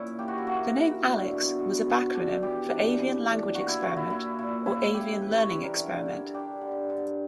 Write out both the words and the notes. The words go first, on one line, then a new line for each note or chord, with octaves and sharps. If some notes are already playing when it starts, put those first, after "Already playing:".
The name "Alex" was a backronym for "avian language experiment", or "avian learning experiment".
Already playing: A#2 C#4 E4
A#3 G4
F#4
E4
A#3 F#4
A#3
D3
B2
B2
B3
D4
E3 G4
D4
E3
D4
A#3 F#4
E4
A#2 F#4
E4
A#3 E4
A#2 E4
C#3 E4
C#3 G4
E3 B4
C#5
G3 B4
A#4
D3
D3
D4 G4
D3
D3